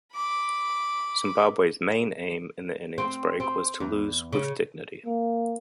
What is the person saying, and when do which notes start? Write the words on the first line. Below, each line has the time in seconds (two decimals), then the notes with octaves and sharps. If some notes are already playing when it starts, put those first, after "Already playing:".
Zimbabwe's main aim in the innings break was to lose with dignity.
0.14 B5 D6
2.98 C4
3.40 C4
3.80 E2
4.33 C#3
5.05 A#3